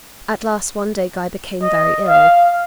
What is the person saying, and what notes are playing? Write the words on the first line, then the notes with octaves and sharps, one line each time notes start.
At last one day Guy became very ill.
D#5
F5